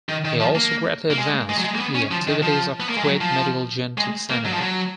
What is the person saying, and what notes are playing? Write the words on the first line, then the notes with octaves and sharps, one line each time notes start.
He also greatly advanced the activities of Kuwait Medical Genetic center.
D#3
D#3
F3
A#3
A#3
G#3
G#3
F#3
G#3
A#3
B3
C#4
F3
D#3
F3
B3
A#3
G#3
F#3
F3
G#3
A#3
F#3
F3
F#3